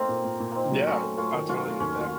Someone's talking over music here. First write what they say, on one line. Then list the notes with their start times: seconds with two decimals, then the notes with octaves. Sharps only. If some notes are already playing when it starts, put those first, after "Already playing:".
Yeah, I totally get that.
Already playing: A3 A#3 C4 D#4
0.09 A#2
0.25 A#2
0.40 A#2
0.51 A#3 C4 D#4
0.72 F#3
0.87 A3 C#4
1.02 A3
1.17 A3 C#4 F4
1.34 D#3
1.49 F#3 C#4 F4
1.65 A3
1.80 D#2 C#4
1.96 D#3 F4